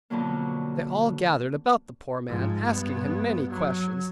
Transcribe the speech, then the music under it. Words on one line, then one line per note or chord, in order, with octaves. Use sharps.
They all gathered about the poor man, asking him many questions.
F2 B2 D3 F3 F#3 A#3
G#2 F3
G2 B3
F#3